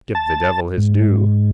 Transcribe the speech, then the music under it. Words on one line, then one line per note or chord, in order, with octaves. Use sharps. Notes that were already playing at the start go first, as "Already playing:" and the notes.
Give the devil his due.
A5
G#2